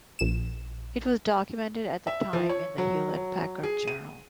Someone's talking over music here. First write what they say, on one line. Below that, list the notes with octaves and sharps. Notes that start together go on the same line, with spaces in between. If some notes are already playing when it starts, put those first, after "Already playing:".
This was documented at the time in the Hewlett-Packard Journal.
A#1 E7
E5
F3
C#5
F#3
F#3
G#4
D#7